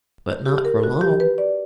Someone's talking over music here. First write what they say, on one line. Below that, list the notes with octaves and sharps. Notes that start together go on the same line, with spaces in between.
But not for long.
G4
A#4
F#4
G4
B4
D5